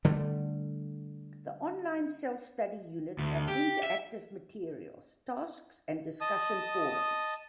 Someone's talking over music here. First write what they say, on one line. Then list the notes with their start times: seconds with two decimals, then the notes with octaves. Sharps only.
The online self-study units have interactive materials, tasks and discussion forums.
0.05 D3 G3 A3
3.18 D2
3.48 G4
3.83 E5
6.21 D#5 A5 D#6